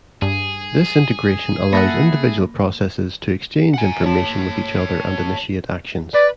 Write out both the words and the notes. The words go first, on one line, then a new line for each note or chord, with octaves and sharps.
This integration allows individual processes to exchange information with each other and initiate actions.
G2 G#4
A#3 A4 E5 F#5 B5 A#6
F#5 G#5
C#5 A5
B4 D5